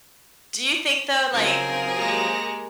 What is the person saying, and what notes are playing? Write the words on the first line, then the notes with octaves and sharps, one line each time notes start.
Do you think, though, like,
C#3 F3 F#3 C4 D#4 G#4 A#4
G#3 A#3 G4 A#6 C#7